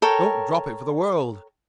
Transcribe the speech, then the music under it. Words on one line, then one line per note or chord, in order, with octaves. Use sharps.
"Don't drop it for the world."
A4 A#4 C#5 G5